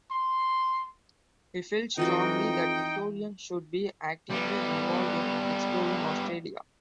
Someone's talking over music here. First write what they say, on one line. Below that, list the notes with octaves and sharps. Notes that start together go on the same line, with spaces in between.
He felt strongly that Victorians should be actively involved in exploring Australia.
C6
F2 E3 D#4 F4 F#4 D#5 G5
G3 B3